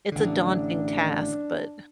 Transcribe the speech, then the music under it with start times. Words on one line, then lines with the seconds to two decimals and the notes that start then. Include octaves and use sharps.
it's a daunting task, but
0.12 A1 D3 D4